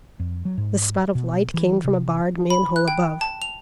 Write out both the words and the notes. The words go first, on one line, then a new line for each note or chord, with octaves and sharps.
The spot of light came from a barred man-hole above.
F2
F#3
G#2
B2
E3
C3
B5
F#6
G5
A5
F7